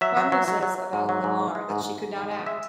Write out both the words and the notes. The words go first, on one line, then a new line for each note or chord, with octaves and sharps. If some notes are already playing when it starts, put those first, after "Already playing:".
Cromwell says about Lamarr that she could not act.
F#3 E5
F#3
F#3
F#3
F#3
F#3
G#2
F#3
G#2
G#3
G#3
G#2
G#2
G#2
G#2
G#3
G#3 E5